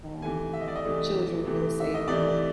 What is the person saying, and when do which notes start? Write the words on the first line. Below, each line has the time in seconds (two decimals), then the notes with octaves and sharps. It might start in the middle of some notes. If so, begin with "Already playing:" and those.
um, children feel safer.
0.22 C3 E3 A3 G#5
0.53 E5
0.61 D#5
0.68 D5
0.75 D#5
0.85 C3 E3 A3
1.46 C3 E3 A3
1.80 E5
1.94 D#5
2.07 C3 E3 A3 D5